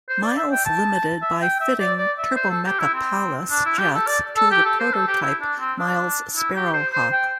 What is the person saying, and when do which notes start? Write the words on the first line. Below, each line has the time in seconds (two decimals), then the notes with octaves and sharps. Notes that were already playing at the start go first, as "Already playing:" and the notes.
Miles Limited by fitting Turbomeca Palas jets to the prototype Miles Sparrowhawk.
0.09 C5
0.23 D5
0.37 E5
0.52 G5
0.65 A5
1.22 E5
1.42 G5
1.60 E5
1.80 D5
1.99 D5
2.18 E5
2.36 C5
2.50 A4
2.66 G4
2.79 E4
2.94 C4
3.51 D4
3.65 E4
3.79 G4
3.94 A4
4.07 D5
4.36 A4
4.51 G4
4.65 A4
4.80 C5
4.93 A4
5.08 G4
5.22 E4
5.41 D4
5.60 C4
5.79 D4
6.36 E4
6.55 G4
6.74 C5
6.93 C5
7.12 G5